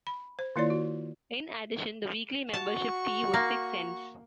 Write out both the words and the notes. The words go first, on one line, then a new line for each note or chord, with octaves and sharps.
In addition, the weekly membership fee was six cents.
B5
C5
D#3 A#3 E4 F4 C#5 D5
F#4
F#4 A5 C#6
A#3